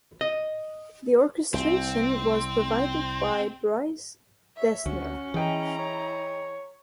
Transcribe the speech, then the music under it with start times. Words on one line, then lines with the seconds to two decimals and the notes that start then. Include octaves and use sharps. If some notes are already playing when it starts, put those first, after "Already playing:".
The orchestration was provided by Bryce Dessner.
0.21 D#5
1.54 C2 C4
4.56 C#5 E5
4.86 D2 C#4 F#4
5.34 E3 E4 G#4 D#5 G5 A#5
5.79 C#5